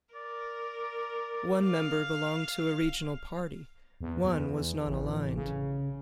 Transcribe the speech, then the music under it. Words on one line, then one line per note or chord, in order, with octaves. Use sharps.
One member belonged to a regional party; one was non-aligned.
A#4 D5
F5
E2
E2
A1
C#3